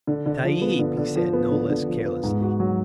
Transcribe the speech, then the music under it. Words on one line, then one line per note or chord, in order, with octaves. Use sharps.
"Tayeeb," he said, no less carelessly.
D3
D3
F3
B3
D3
D3
F3
B3
D3
D3
F3
B3
G#2
F#4
F#3